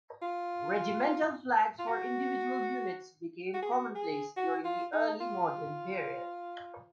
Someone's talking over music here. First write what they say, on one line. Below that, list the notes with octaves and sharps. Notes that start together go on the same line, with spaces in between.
Regimental flags for individual units became commonplace during the Early Modern period.
F4
F4
F#4
F#4
G#4
F#4
G#4
F#4
F4
D#4
F4